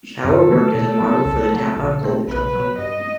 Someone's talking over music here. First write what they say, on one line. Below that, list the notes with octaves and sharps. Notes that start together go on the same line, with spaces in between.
Shower worked as a model for the Tapout clothing company.
F#2 A4
D#3 F#3 A3 E4
B2
F#3 B3 D#4
C2
C3 F#3 A3
B1
B2 A3 C4
B1 B4
B2 F#3
G2 D#5